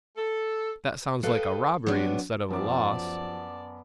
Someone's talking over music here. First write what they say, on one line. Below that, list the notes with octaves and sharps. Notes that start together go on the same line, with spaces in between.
"That sounds like a robbery instead of a loss."
A4
A4 B4 D#5 F5 G5
F#3 B3 C4 D4 B4
F#2 F3 B3 D5 A5 D6